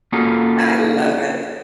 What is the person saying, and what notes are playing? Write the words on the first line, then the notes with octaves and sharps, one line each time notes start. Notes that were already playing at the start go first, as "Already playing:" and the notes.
I love it.
A#3 C#4 F4 F#4 G#4 A4